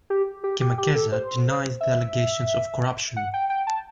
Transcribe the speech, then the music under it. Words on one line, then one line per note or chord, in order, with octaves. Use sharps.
Kemakeza denies the allegations of corruption.
G4
G4
G4
G4
A4
C5
E5
F#5
G5
G5
A5